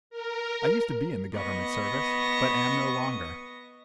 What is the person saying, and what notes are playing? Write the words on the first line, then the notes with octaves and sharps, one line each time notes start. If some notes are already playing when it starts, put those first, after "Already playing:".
I used to be in the government service, but am no longer.
A#4
B3 D#5 C#6 A#6